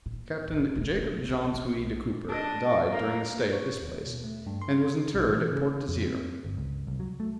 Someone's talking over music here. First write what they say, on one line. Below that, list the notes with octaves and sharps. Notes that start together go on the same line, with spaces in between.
Captain Jacob Jansz Huy de Cooper, died during the stay at this place, and was interred at Port Desire.
A#2
F2 A#2
D#1 G#3
B2 F3
C2 C#3
B1
D4 D#5
A#3
G#4
C#5
D#2
B2
A3
G2
C6
B1
E3
C#3
F2
C4
G1
C#2
C2
F#3
A3